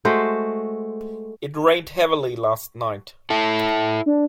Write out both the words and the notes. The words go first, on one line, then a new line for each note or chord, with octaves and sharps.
It rained heavily last night.
G#3 A3 F#4 C5
E4 A4
D4